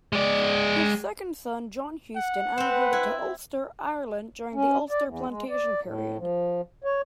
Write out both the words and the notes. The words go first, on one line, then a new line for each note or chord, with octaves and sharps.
His second son John Houston emigrated to Ulster, Ireland during the Ulster plantation period.
G#3 D5
F#5
C4 B4 C5
E4
C#4
D5
E2
G#3
D5
A2
F3
C#5